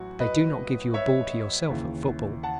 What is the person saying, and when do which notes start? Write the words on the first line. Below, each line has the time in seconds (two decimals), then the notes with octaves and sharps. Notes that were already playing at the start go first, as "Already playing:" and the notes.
They do not give you a ball to yourself at football.
Already playing: A1 F#3 F#4
0.20 B4 D#5
0.94 C#5 E5
1.70 D#2 C#3 E3
2.43 F#5 A5